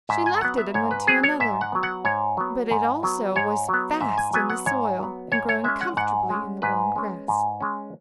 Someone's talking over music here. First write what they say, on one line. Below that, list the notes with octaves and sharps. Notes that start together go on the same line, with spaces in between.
She left it, and went to another; but it also was fast in the soil, and growing comfortably in the warm grass.
G#2 E5
G#5
F#3 B3 F#5
E5
G#2 C#5
B4
F#3 B3 G#4
C#5
G#2 E5
F#5
F#3 B3
F#5
G#2 C#5
F#3 B3
G#2
F#3 B3
G#2 C#5
F#3 B3
G#2 E5
G#5
F#3 B3 G#5
F#5
G#2 C#5
F#3 B3
G#2 C#5
C#5
G#3 C#4 E5
F#5
G#2 F#5
G#3 C#4
G#2 B4
G#3 C#4
G#2
G#3 C#4